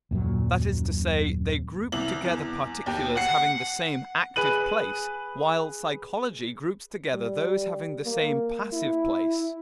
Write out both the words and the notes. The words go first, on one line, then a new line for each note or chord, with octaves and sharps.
That is to say, they group together particulars having the same "active" place, while psychology groups together those having the same "passive" place.
D#1 F#2 A#2 F#3
C2 F#7
E2
D#2 G4
F#5 C7 C#7
G#4 B4 D#7 F#7
G3
A#3
E4